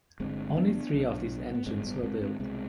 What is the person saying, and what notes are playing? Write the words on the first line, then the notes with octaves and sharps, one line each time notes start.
Only three of these engines were built.
G1 G2 D3 G#3 C4
B3 D4
B1 B2
B3
G1 G2 D3 G#3 C4
G3 B3
G#3 C4
G#3 C4
C2 B2 G#3 C4